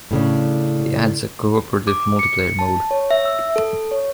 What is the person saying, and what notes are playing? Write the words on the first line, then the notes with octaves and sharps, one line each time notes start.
It adds a cooperative multiplayer mode.
A2 C#3 D4
D6
C#7
A5
C#5
E5
E6
A4
C#5